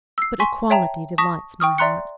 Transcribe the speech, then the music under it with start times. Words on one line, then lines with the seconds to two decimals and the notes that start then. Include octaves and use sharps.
But equality delights my heart.
0.18 E6 C7
0.40 G#5 C6 C#6 B6
0.70 C#5 E5 G5 A5 A#5
1.18 A5 C#6 D#6 A#6 B6
1.60 G5 C#6 D#6 F6
1.78 D5 E5 A#5 C6 F#6 C#7